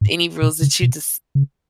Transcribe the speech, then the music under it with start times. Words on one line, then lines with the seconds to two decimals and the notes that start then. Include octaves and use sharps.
any rules that you just
0.01 G#2
0.42 B2
0.62 C#3
0.82 B2
1.35 C#3